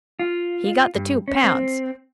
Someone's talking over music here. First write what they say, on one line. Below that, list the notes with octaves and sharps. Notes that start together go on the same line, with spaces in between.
He got the two pounds.
F4
G2
C#4
C4